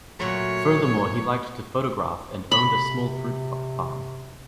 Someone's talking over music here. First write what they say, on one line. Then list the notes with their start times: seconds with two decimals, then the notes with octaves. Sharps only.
Furthermore, he liked to photograph and owned a small fruit farm.
0.19 A#2 F#3 A3 C#5
2.52 C3 B5